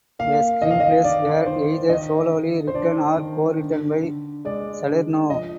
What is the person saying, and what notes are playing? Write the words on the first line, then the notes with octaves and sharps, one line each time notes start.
The screenplays were either solely written or co-written by Salerno.
A#3 F5
D#3 D#5
F5
D#5
D#3 D5
D#3 C5
D#3 D#5
D#3
C5
D4 D5
D#3
D3
D3
G#3 D5
D3
F3 D#5